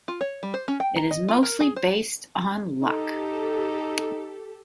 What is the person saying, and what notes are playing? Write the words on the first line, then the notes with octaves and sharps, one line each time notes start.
It is mostly based on luck.
F4
C#5
G3
C5
C#4
G5
A#5
D#5
F4
A#4
G#4
C5
D#4 G4 A4